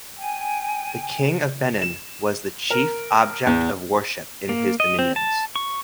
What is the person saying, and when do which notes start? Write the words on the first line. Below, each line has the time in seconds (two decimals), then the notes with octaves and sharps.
The king of Benin was the chief object of worship in his dominions.
0.17 G5 G#5
1.82 E7
2.70 A#4
3.46 E2
4.49 A#3
4.80 D#5
4.99 C4
5.16 A5
5.56 C#6